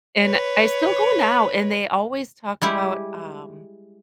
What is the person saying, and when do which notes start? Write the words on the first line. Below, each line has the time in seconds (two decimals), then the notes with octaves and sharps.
and I still go now, and they always talk about, um,
0.19 B4 C#5
2.62 G3 G#3 E4 G4